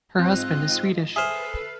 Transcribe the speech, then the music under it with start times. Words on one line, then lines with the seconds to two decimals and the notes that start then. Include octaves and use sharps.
Her husband is Swedish.
0.19 G#2 C4 F4 D#5 F#6
1.16 G#4 A4 B4 C5 E5 F6 C7